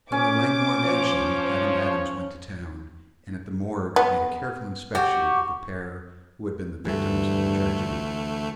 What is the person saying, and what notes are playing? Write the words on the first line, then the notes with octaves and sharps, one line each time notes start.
From the Langmore mansion Adam Adams went to town, and at the morgue made a careful inspection of the pair who had been the victims of the tragedy.
C#4 C5 D6
F3 C#5
B3
F#4 G4
D2 G2 E3 A3